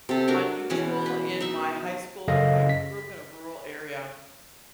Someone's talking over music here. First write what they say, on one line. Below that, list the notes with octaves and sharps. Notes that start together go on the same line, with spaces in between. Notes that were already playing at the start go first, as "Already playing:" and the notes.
unusual in my high school, I grew up in a rural area,
C3 A4
D4 F#4 A#4
B2 E3 G#3 C#4
B4
D#4 E5
F#2 C#3 A4 D#5 F5 A#6
B6